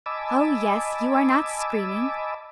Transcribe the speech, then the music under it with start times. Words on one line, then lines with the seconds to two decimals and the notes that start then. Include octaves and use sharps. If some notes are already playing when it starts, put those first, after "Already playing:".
Oh, yes; you are not screaming.
0.06 D#5 G#5 A5 B5 D6 E6